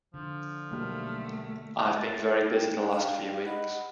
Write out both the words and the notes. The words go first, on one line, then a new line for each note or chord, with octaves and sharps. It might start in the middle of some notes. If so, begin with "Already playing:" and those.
I've been very busy the last few weeks.
D3 F3
B1 G3 A3 A#3 F6
E4 A6
D4 G4 G5
F5
D#5 F#5 B5